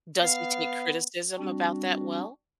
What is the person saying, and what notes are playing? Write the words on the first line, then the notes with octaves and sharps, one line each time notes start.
Does he take criticism about that well?
B3 F5
G3 C4 D4 F#4